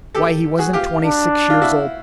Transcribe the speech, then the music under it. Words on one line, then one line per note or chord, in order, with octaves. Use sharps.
Why, he wasn't twenty-six years old.
G4 A4
F#4 G#4
F4 G4
D4
F4
E4 F#4